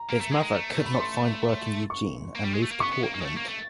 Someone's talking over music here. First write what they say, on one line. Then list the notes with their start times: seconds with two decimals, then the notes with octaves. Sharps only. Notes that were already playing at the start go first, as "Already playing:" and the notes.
His mother could not find work in Eugene and moved to Portland.
Already playing: A#5
0.10 A#3
0.20 A3
0.32 G#3
0.43 G#3
0.54 A3
0.85 B5
1.00 C6
1.90 C#6
2.35 A#3
2.44 G3
2.54 G#3
2.62 A3
2.71 A#3
2.80 B3 C#6
2.92 B3
3.03 A#3
3.14 A#3
3.21 G#3
3.25 A3
3.37 A#3
3.48 A3